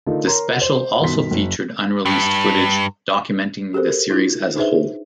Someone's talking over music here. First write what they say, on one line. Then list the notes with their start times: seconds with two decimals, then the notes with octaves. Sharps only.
The special also featured unreleased footage documenting the series as a whole.
0.07 D3 A3 D#4 F4 A#4
0.26 A#4 C#5 A#5 C6
0.62 C5
1.00 G1 B2 D#3 A#4 C6 B6
1.31 F#1
2.05 G2
3.73 F#4 G4 A4 A#4 C5
3.89 A#4
4.10 D#4 F4 F#4
4.56 D4 D#4 G#4 B4 C5 E5